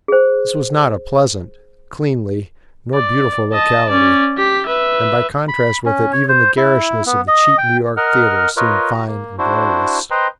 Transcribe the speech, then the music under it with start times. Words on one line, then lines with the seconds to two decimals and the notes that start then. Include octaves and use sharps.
This was not a pleasant, cleanly, nor beautiful locality, and by contrast with it, even the garishness of the cheap New York theatre seemed fine and glorious.
0.08 G#4 C5
2.94 D5
3.53 D#5 A5
3.89 C#4 D5
4.37 G4 B6
4.66 B4 E5
5.48 B5
5.86 C#4
6.12 C#5
6.29 C5
6.57 E4
7.06 B3
7.28 D#5
7.58 G5
7.97 A#4 D#5 F#5 F6
8.57 F4 A#4 B4 C#5 D#5
8.92 F#4 A#5
9.07 A#3
9.38 D4 E4 F#4 C5
10.11 B4 C5 D#5 G5 A#5 C6